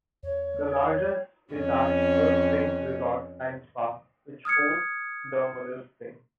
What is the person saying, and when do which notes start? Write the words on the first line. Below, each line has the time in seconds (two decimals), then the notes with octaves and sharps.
The largest is at The Springs Resort and Spa which hosts the mother spring.
0.23 E2 C#5
1.53 F2 C#4
4.45 D#6 F6 G#6 C#7